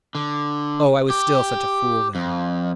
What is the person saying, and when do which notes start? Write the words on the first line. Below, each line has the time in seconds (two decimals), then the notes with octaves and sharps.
Oh, I was still such a fool then....
0.15 D3
1.10 G4
2.15 F2